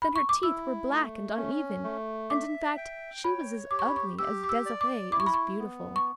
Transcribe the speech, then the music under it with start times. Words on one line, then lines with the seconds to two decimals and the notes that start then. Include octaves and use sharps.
Then her teeth were black and uneven, and, in fact, she was as ugly as Desiree was beautiful.
0.02 B5
0.16 C#6
0.29 D6
0.43 E4 E6
0.90 A3
1.37 C#4
1.84 A3
2.30 E5 D6
2.77 G5
3.24 C#5 B5
3.71 G4 D6
3.79 C#6
3.88 B5
3.96 C#6
4.19 G4 E6
4.43 D6
4.49 E6
4.66 D5
4.81 D6
5.12 E4 D6
5.20 C#6
5.26 B5
5.34 C#6
5.59 B3
5.96 C#6